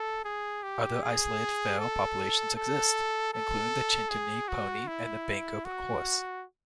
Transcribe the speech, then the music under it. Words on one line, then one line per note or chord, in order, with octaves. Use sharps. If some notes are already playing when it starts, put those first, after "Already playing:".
Other isolated feral populations exist, including the Chincoteague Pony and the Banker horse.
Already playing: A4
G#4
G4
G#4
A4
A4
A4
G#4
F#4
E4
F#4